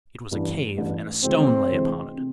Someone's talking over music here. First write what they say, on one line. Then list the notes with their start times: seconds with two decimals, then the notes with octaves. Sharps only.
It was a cave, and a stone lay upon it.
0.31 A1 G2 E3
0.78 A1 G2 E3
1.24 D2 C3 E3 G#3 C4
1.70 D2 C3 E3 G#3
2.17 C3